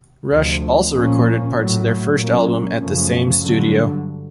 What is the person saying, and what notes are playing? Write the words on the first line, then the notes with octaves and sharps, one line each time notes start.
Rush also recorded parts of their first album at the same studio.
D2 C3 F3
A#2 F3 A#3 C#4
A2 F#3 A3
A#2 F#3 A#3 C#4
F#2 C#3 F3 A3 C#4
G2 D3 F#3